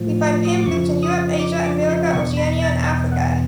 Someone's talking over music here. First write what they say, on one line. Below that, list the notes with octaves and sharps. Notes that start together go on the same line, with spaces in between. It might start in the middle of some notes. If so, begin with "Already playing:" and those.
We find Pan flutes in Europe, Asia, America, Oceania and Africa.
Already playing: A2 F3
D#6
D6
F2 C#3 F3 C#6
D#6
D6
D6
C6
E2 B2 C#6
B5
A5
G5
F#5